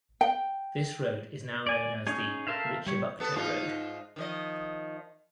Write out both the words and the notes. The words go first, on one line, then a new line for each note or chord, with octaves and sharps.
This road is now known as the "Richibucto Road".
G5
D5 G#5
C#4 D#4 G#4
A4 A#4 C5 E5 F5
G3 C#5
B3 A4
G#2 D#4 F4
D#3 F3 D#5